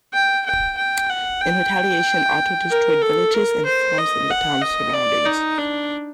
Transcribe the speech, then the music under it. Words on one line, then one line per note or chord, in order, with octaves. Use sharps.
In retaliation, Otto destroyed villages and farms in the town's surroundings.
G5
G5
G5
F#5
G5
A#4
A4
A#4
C5
D#5
F#5
D#5
D5
D#4
D4